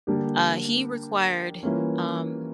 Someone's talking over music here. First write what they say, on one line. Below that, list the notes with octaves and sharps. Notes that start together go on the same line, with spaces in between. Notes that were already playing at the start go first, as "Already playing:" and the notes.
uh, he required, um,
D3 G3 A#3 D4 G4
E3 G3 A#3 C#4 F4